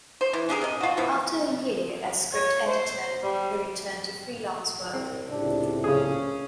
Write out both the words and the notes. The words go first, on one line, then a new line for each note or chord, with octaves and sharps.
After a year as script editor he returned to freelance work.
C5
E3
D4 G4 G#4 A#4
C3 D#5
F4 F#4
F3 B3 E4
C#5
C5
G3
C2 C4
C#2 A2 C3 D4
A#1 C#3 C#4 G#4